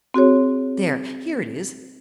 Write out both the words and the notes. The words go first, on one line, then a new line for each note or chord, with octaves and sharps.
There, here it is.
C4 F#4 G#4 C#5